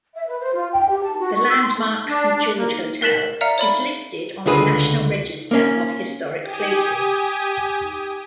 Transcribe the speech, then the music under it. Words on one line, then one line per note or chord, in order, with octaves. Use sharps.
The landmark Saint George Hotel is listed on the National Register of Historic Places.
E5
B4
C5
F4
G5
G4
A5
F#4
C#6
E6
C6
A4
D4
A#3
A#4 F#6 A6 B6 E7 F#7
D5 E5 F5 A#5 F6 C#7
C#5 D5 B5
C#2 D3 F4 G#4 B4
A#3 C#4
G4 G#5 D#6